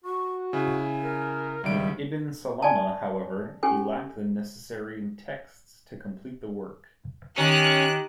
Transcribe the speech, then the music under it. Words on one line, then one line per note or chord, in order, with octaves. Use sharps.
In Ibn Salama, however, he lacked the necessary texts to complete the work.
F#4 C#6
C#3 E4 G#5
A#4
C#2 D#3 G3 E5 D7
D5 G#5 A5
C#4 G4 A4 G#5
D#3 C#4 G4 F#6